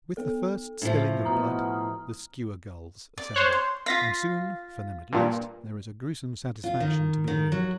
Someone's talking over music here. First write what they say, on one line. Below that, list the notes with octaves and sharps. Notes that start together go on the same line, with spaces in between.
With the first spilling of blood the skua gulls assemble, and soon, for them at least, there is a gruesome satisfaction to be reaped.
B3 A4
A2 F3 D4
B2 A#5 D#6 F6
D5
C5 C#5 F#6
C6
F4 F5 A#6 B6
G2 A#2
F4
D#3
D#3
F#3